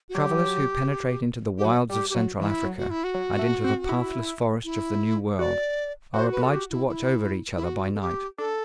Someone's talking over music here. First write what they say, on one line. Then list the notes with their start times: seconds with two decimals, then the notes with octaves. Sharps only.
Travellers who penetrate into the wilds of central Africa, and into the pathless forests of the New World, are obliged to watch over each other by night.
0.09 F#4
0.14 F#3 G4
1.58 G4
1.65 F#3 F#4
1.89 G3 G4
2.10 G4
2.14 F#3 F#4
2.40 E3 E4
2.64 F#3
2.77 F#4
2.90 E4
3.04 F#4
3.14 F#3
3.39 A3
3.64 C4
3.89 E4
4.64 E4
5.39 F#4 D5
6.14 F#4 C5
6.32 B4
6.42 A4
6.52 G4
6.70 E4
6.88 E4
7.56 E4
7.64 F#4
7.94 A4
8.01 G4
8.38 D4 A4